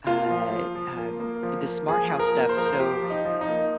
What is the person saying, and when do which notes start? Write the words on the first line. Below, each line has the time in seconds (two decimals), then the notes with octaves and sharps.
uh, um, the smart house stuff, so
0.07 A#3 F4
0.30 F3
0.52 F3
0.75 F3
0.97 A#3
1.20 A#3
1.43 F3
1.66 A#3
1.88 F3 G#4
2.12 F3
2.19 A#4
2.34 A#3
2.49 C5
2.57 F3 A#4
2.66 C5
2.80 F3 G4
3.02 F3
3.10 D#4
3.25 F3
3.41 D#4
3.48 A#3